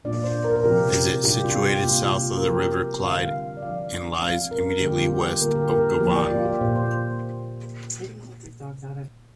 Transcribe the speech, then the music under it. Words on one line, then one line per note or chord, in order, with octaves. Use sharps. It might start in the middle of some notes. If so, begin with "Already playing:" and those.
It is situated south of the River Clyde and lies immediately west of Govan.
A#2 A#3 D4 F4 D5
C5
A#4
A#4
C3 F3 C4 F4 G4
C3 G3 D4 F4 G4
F4
G4
C3 A#3 F4
F4
A#4
F3 C4 F4 G4
D3 G3 C4 F4 F5
F5
D5
D3 F3 D4 F5
F3 C4 F4 F5
A#4
D3 G3 A#3 G4
F4
G4
D3 A#3 F4 A#4
G4
A#4
F3 A#3 F4 G4
D5
F4
G4
A#2 A#3 F4 C5
C5